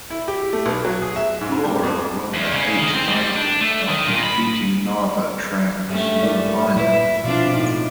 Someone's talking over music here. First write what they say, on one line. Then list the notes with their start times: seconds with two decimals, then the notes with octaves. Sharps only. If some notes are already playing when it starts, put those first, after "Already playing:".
Flora won their eight title after defeating Narva Trans in the final.
0.10 E4
0.28 G4
0.53 A3
0.66 B1
0.85 F#3
1.02 G#4
1.16 E5
1.41 G#2
1.64 G3
1.83 F2
2.34 E2
2.52 C#3
2.79 D#3
2.93 C4
3.08 G3
3.36 D4
3.61 A3
3.89 D#3
4.08 A#2
4.23 B5
5.87 G2 A3 C#4
6.23 E4 A#4 D5
6.76 A#2 E4 B4
7.24 B2 F3 C4 D4 F4 D5
7.56 A2 D#4 E4